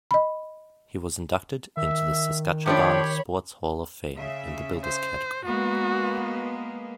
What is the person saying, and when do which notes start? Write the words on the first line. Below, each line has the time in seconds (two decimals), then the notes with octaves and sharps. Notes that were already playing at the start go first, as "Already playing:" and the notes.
He was inducted into the Saskatchewan Sports Hall of Fame in the builders category.
0.11 D#5 B5
1.77 D#3 E5
2.66 A2 F3 D4 G4 C#5 B5
4.16 C#3 E5
4.84 C5
5.45 G#3 A#3 B3 F#4